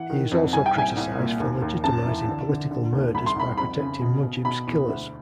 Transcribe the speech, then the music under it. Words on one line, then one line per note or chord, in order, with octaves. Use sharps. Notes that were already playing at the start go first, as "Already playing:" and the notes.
He is also criticized for legitimizing political murders by protecting Mujib's killers.
Already playing: E3 F#5
D#3
F2
C2 G#5
G5
C2 G#5
C2
A#2
D#2
D#2
F#2 A5
E3
D3
D3
D3
D#2
C2 B5
C6
C2 B5
F2 B5
C#3
B2
B2
B2 B5
E2
D2